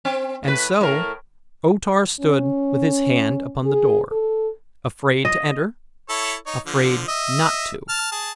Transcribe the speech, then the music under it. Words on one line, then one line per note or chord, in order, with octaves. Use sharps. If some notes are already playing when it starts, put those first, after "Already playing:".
And so O-Tar stood with his hand upon the door--afraid to enter; afraid not to.
C4
A2 B4
A2 A#4
C#4
G#4
A4
D#5
E4 A4 C#5
D#4 C#5
D3 F3
D#5 E5
A5 F6
G#4 A5